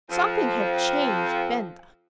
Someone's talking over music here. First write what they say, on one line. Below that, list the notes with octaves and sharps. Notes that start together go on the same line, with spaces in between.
Something had changed Benda.
F2 F3